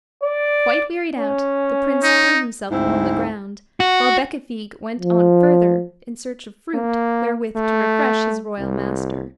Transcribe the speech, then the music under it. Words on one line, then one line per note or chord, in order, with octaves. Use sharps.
Quite wearied out, the Prince threw himself upon the ground, while Becafigue went on further in search of fruit wherewith to refresh his royal master.
D5
C#4
D#4
D2 G#2 C4 E4
F#4
F3
A#3
A3
C2